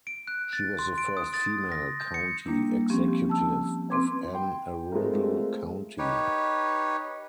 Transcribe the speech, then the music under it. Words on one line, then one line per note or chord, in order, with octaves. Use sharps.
She was the first female county executive of Anne Arundel County.
D7
F#6
A6
C6
D7
D#6
A6
A#6
G6
C#7
G3 A#3 D4 E4
F3 C4 C#4 G4
G4
A5 E6
C4 B4 C6 D6 G#6
G5 C6
G#3 A3 C4 F4 A#4
D#4 G4 B4 C#5